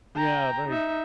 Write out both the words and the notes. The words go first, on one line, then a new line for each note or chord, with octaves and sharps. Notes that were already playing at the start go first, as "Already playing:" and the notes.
Yeah, they
G5 A#5
D#4 E5